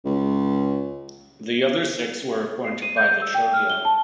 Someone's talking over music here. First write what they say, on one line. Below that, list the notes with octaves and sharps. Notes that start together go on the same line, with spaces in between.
The other six were appointed by the Chogyal.
C#2
C7
D#7
G6
E6
G5
F6
G7
A5